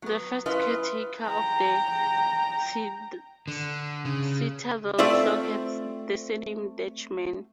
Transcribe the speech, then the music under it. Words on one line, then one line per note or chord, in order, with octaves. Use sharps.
The first caretaker of the Citadel Clock had the surname Dechman.
F#3 B3
F#3 C#4 E4 F4 B4 D#5
G5 A#5
D3
C#3
A3 C4 F4 D5 E5